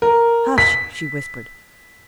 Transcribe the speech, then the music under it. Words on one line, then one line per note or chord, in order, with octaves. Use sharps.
"Hush!" she whispered.
A#4
B6